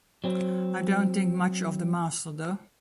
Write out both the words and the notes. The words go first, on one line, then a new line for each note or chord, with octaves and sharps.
I don’t think much of the master, through.
F#3 C4